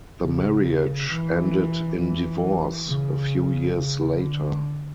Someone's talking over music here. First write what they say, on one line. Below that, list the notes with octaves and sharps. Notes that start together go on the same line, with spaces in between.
The marriage ended in divorce a few years later.
C#3
E3
E3
C#3
C#3
D3